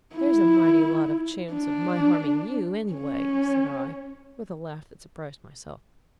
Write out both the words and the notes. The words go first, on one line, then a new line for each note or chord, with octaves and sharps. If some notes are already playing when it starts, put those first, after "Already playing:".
"There's a mighty lot of chance of my harming you, anyway!" said I, with a laugh that surprised myself.
E4
D4
C#4